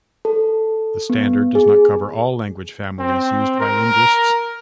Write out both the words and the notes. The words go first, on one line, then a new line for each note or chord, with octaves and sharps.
The standard does not cover all language families used by linguists.
A4
B3
G#4
C4
A#4